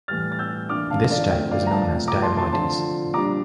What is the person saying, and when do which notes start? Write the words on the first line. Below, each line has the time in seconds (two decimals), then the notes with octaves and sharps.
This type is known as "diabodies".
0.08 A2 E3 G3 F6 A6
0.32 A6
0.39 E6 G6
0.69 E3 A#3 D4 D6 F6
0.90 F5 A5
1.11 D5 F5
1.30 D3 F3 A3 C4 E5 G5
1.51 D5 F5
1.67 A#5
1.71 F5 A5
1.92 C3 F3 A3
2.08 A#5 D6
2.22 A5 C6
2.37 A5 C6
2.52 D3 F3 C4 A5 C6
3.13 A#2 G3 D4 A#5 D6